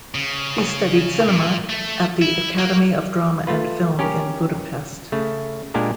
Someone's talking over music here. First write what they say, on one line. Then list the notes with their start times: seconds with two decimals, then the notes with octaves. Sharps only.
He studied cinema at the Academy of Drama and Film in Budapest.
0.15 C#3
1.28 A#2
1.69 A3
2.22 E4
2.59 A#3
3.47 A3 F4 B4
3.99 C#4 G4 A#4
5.12 C#3 A3
5.74 A#2 G#3 A#3 D4 G4 A#4